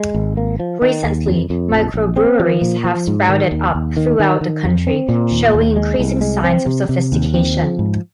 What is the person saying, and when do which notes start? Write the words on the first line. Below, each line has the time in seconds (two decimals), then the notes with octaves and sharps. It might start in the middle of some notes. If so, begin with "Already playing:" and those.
Recently, microbreweries have sprouted up throughout the country, showing increasing signs of sophistication.
Already playing: G#3
0.14 G#1
0.37 A#3
0.60 F3
0.82 D#3
1.04 D#2
1.26 F2
1.50 F2
1.72 A#1
1.94 A#1
2.16 C4
2.40 F3
2.61 A#2
2.84 F3
3.07 G#2
3.29 D#3
3.51 D#2
3.75 D#2
3.97 D#3
4.20 D#3
4.41 D#3
4.64 F2
4.87 C4
5.09 A#2
5.31 D#2
5.54 D#2
5.76 G#3
5.99 C2
6.21 G#3
6.44 C4
6.66 C3
6.89 C3
7.12 D#2
7.34 C4
7.57 F3
7.79 G#2